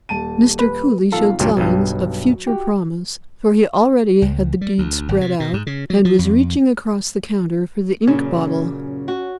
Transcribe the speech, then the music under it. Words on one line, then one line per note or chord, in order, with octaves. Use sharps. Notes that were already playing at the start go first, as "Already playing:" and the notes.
Mr. Cooly showed signs of future promise, for he already had the deed spread out, and was reaching across the counter for the ink bottle.
D#1 A5 D#7
B4
B1 F4 A4
C#2 G2 A#2 F#3
B1 G2
F#4 G4
C#2
G3
D2
G#1
C3
B2
G#2
C#3
F#3
F3
F2
F#2 A#2 C#3 C#4
F#4